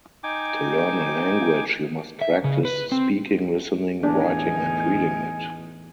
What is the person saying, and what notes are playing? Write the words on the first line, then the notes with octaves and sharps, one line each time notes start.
To learn a language, you must practice speaking, listening, writing, and reading it.
D#4 G5 G#5 D6
E5
C#3
B4
C4
E2 A2 D4 D#4 G#5